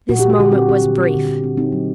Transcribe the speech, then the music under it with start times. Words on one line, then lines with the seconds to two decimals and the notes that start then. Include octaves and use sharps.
This moment was brief.
0.09 A#2 F#4
0.19 G3 G4
0.30 F#4
0.39 D3 G4
0.52 C4 F#4
0.69 C4 G4
0.84 D3
0.98 C4
1.14 D3
1.28 D3
1.44 C4
1.57 C4 D#4
1.72 F#3